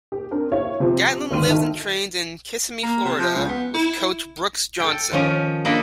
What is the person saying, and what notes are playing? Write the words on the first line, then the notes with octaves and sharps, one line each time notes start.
Gatlin lives and trains in Kissimmee, Florida with coach Brooks Johnson.
G4
C4 D4 A#4
E4 G4 C#5 F5
C3 F3 C4
G#1 D2 D#3 C6 F6 D#7
D#3 D#4 A4 E5
A#3
C3
F3
C#2
B3
E4
A4 G5
D#3 F3 C#4
A#3 D4 A4 D#5 B5